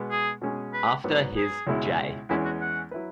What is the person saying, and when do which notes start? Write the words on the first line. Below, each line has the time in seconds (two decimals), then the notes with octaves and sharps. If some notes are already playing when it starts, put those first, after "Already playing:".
After his J.
Already playing: B2 G#3 B3
0.11 G#4
0.42 B2 G#3 C#4 G#4
0.73 B4
1.04 G#2 F#3 B3
1.36 G#4
1.67 C#2 B2 G#3 E4
2.29 E2 E3 G#3 C#4 E4
2.45 F#4
2.61 F#5
2.91 F#3 E4 B4